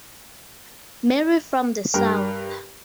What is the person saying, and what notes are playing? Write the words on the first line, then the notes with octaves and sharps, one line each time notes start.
Marie from the south.
G2 A#4 G5